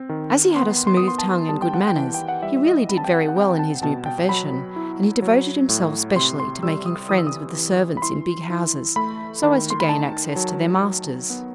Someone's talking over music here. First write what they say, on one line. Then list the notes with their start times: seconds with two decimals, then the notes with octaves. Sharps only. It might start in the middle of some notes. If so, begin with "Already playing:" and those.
As he had a smooth tongue and good manners, he really did very well in his new profession, and he devoted himself specially to making friends with the servants in big houses, so as to gain access to their masters.
Already playing: C4
0.09 D#3
0.56 B3 C6
0.87 C6
0.97 D#6
1.02 B3
1.08 C6
1.19 A5
1.49 G3 A5
1.62 G5
1.74 F#5
1.87 G5
1.96 E3
2.14 G5
2.28 F#5
2.43 G3 E5
2.57 E5
2.66 D#5
2.89 C4 B5
2.97 A5
3.04 G5
3.13 F#5
3.28 F#5
3.36 C4 G5
3.59 A5
3.83 B2 A5
4.06 G5
4.29 F#3 B5
4.76 E4
5.22 F#3
5.69 A2
6.16 C3 C6
6.40 C6
6.63 G3 E6
6.86 D#6
7.09 E3 D#6
7.18 E6
7.27 D#6
7.56 E3
7.97 B5
8.02 E4 C6
8.50 E4
8.96 A3 B5
9.43 D#3
9.70 C6
9.80 B5
9.89 D#4 A5
10.36 F#3
10.83 F#3
11.30 B3